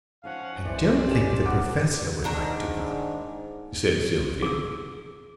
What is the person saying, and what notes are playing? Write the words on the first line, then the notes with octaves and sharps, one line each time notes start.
"I don't think the Professor would like to come," said Sylvie.
F3 C#4 D#4 F5 F#5
C2 G#2 C3 E3 C5 D5
C3 C#4 G4 G5 E7
A#4 F#5 D6
G#2 D#3 D4 A#5
G#4 E6